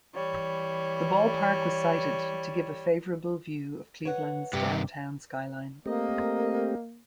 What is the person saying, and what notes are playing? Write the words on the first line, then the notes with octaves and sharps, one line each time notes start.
The ballpark was sited to give a favorable view of Cleveland's downtown skyline.
E3 G3 C#5
B4 C#5 F#5
G2 C3 G4
A3 A#3 C4 G4 A#4 D#5